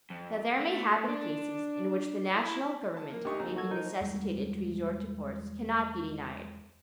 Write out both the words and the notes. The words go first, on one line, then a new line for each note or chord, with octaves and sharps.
THAT there may happen cases in which the national government may be necessitated to resort to force, cannot be denied.
F2
A3
D4
E4 B5
A5
A#3
D2 D#4 G4 C#6
D#2 D#4
A#3 F#4 A4 G#6
F3 D#4
E2 G3 G#3